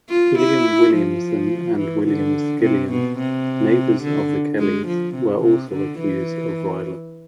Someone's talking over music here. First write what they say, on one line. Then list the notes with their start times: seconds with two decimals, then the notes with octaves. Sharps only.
William Williamson and William Skillion, neighbours of the Kellys, were also accused of violence.
0.10 F4
0.38 E4
0.94 F3
1.78 E3
2.07 D3
2.62 C3
2.90 B2
3.19 C3
4.03 D3
4.59 G#3
4.87 F3
5.15 C3
5.43 C3
5.72 D3
5.99 E3